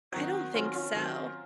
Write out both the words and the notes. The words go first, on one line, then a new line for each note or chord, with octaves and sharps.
I don't think so. A
D#3 F#3 C4 D#4 F#4
D#3 F#3 C4 C#4 F4
C#4 F4
D#3 F#3 C4